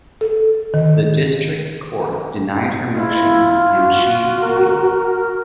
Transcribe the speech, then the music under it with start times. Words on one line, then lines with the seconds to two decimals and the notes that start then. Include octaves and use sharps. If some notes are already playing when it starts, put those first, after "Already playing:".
The district court denied her motion, and she appealed.
0.21 A4
0.74 D#3
2.95 E4 F4
3.72 F#4
4.42 A#4